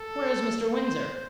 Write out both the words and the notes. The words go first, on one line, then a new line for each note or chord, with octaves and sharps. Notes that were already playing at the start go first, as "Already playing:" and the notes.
"Where is Mr. Windsor?"
Already playing: A4
C5